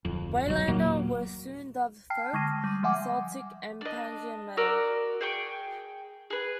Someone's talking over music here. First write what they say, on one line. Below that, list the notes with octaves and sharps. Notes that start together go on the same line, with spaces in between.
"Waylander" were soon dubbed folk, Celtic and pagan metal.
D1 F2
F#1 B1 F#3
D#1 A#2 F#3 A#3
G5 A5 F6 C7
D3 G#3 C#6 F6 A#6 D#7
G3
F3 G#3 E5 F#5 G#5 D6
D4 D#5
F#4 A#4 D5 E6
G#4 G5 C#6
G#4 B4